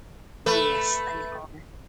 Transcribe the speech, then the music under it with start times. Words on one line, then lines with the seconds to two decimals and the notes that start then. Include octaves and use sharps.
Yes, they are.
0.46 A3 B4